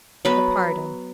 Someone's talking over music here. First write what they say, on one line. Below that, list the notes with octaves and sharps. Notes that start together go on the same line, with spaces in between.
The Pardon.
F#3 B3 B4